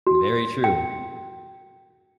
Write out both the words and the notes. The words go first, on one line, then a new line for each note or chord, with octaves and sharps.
Very true,
F#4
G5